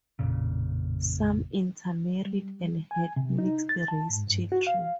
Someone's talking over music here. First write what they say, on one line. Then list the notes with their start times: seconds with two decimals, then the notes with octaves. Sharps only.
Some intermarried and had mixed-race children.
0.19 A1 F2 A#2 C#3
2.25 G3
2.91 G#5
3.16 C3
3.39 D#4
3.69 A6
3.88 A5
4.10 G#2
4.28 G2
4.52 F#4
4.67 F5